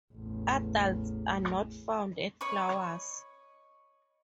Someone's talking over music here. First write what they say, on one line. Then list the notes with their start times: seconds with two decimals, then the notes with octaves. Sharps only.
Adults are not found at flowers.
0.14 A1 E2
2.41 C#5 D#5 B5 C#6